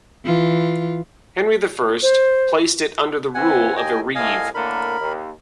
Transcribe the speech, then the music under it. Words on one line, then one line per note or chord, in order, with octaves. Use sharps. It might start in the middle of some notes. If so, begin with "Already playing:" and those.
Henry the First placed it under the rule of a reeve.
E3 F4
C5
E3 C4 F#5 G#5
D#2 D#5 G5 G#5
C2 A2 D#5 F5 G#5
A2 D3 A#3 A#4 B5
D#2